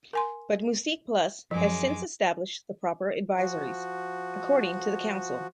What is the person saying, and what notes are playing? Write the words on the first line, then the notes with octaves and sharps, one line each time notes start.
But MusiquePlus has since established the proper advisories, according to the council.
A#4 G#5 C6
F#2 F3 G#3 D6
F3 F#4